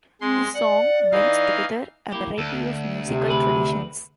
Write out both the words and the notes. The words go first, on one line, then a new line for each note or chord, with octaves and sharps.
The song blends together a variety of musical traditions.
G#3 C4 C6
D5 F#5
E3 D#4 F5
A#3 E4 G4
D2 A4
C3
A3 G#4 B4